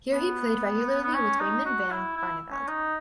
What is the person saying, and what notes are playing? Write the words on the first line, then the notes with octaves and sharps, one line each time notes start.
Here he played regularly with Raymond van Barneveld.
B3
B3
C#4
D#4
F#4
E4
E4
C#4
D#4